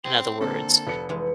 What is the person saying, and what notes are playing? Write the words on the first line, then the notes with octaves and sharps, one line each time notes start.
in other words.
C4 G#4
D3 A#3 C4 A4
F1 B4 C#7
E3 G#3